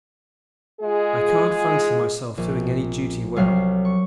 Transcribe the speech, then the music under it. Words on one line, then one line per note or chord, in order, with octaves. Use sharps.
I can't fancy myself doing any duty well.
G#3 F4 G#4
A#1
C2 C3 F#3 C4 F5 C7
C#6